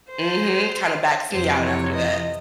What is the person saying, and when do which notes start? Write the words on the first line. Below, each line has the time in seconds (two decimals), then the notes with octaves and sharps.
Mhm. Kinda backs me out after that,
0.12 C5
1.33 F2 C3 E3 C5
1.64 C#5
1.93 D#5